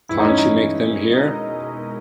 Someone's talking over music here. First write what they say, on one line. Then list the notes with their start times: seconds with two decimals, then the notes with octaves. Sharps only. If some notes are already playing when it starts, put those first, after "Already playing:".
Can't you make them hear?
0.09 G2 E3 G#3 E4
0.19 D#4
0.29 C#4
0.38 D#4
1.10 B2 G#3 D#4 A#4 D#5